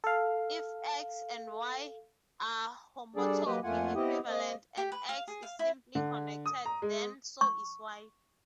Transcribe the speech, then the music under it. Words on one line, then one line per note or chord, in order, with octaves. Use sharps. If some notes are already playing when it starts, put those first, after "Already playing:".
If "X" and "Y" are homotopy-equivalent and "X" is simply-connected, then so is "Y".
A4 F5
G3 D4 G#4 A4 D5
F#3 A#3 G4 B4 D#5
F2 A3 A#3 F4 F#5 G#5
B3 C4 E4 G4 D#5
A#3 C4 D#5
G4
B4
F5
G#4
F5
E4
D3
D#6
A#5
G#3
C#6